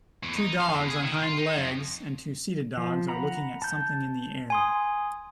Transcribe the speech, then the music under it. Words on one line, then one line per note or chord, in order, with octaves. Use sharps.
Two dogs on hind legs and two seated dogs are looking at something in the air.
E2
D#4
F5
E2
G#4
D#3
F4
D#4
F2
F3
F#5 A#5 B5
A5 G6
G#5 C6 D#6